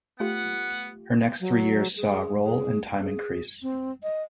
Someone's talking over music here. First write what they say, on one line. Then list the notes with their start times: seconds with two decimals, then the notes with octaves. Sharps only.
Her next three years saw her role and time increase.
0.20 A3 B3 F4 G4 F#5
1.40 F#3
1.97 G#4
2.44 G#4
3.02 G#4
3.62 C4
4.03 D#5